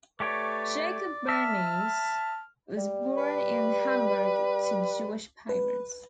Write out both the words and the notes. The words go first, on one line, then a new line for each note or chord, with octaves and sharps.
Jacob Bernays was born in Hamburg to Jewish parents.
A3 G4 B4 C#5 D5 D6
E5 A5 F6
G3
B4
B4